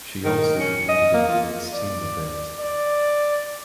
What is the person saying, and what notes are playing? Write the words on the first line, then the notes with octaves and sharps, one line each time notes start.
She also competed in the mixed team event.
D#3
C#4
D#5
A#3
F4
D5
D5